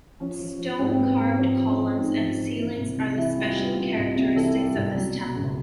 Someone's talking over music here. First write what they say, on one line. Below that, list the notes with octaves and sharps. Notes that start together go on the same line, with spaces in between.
Stone carved columns and ceilings are the special characteristics of this temple.
F3 C#4
F3
F3
G#2 C4
C4
G#2 B3
G#2 B3
F3 C4
F3
C#4
F3
G#2 D#4
F3
F3
E3
C2
C3
E3 E4
G3 F4
G3 F4
C3 F4
C2
C3
E3 A4
G3
C2
F#3
B2
C#2